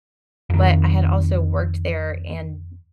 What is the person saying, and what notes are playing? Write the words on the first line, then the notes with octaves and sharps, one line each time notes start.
But I had also worked there and
F2 D#3